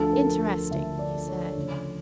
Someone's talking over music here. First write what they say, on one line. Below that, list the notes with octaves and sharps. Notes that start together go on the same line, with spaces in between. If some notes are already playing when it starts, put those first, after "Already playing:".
"Interesting," he said.
Already playing: D2 D3 F3 A4
A#4
D2 D3 F3 E5
D5
C#5
D2 C#3 F3